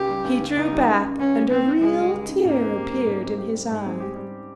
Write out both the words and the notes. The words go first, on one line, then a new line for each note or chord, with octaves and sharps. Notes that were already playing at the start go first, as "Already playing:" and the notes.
He drew back and a real tear appeared in his eye.
Already playing: C#2 G4
G3
C#2
C#3
C#2 D#4
G3
C#2
C#3
C#2 C#4
G3
C#2 C4
C#3
C#2 G#3
G3
C#2
C#3
G#2 A#3
C4
G4
G3
G#2
C4
G4
G3
G#2 G#3
C4
G4
G3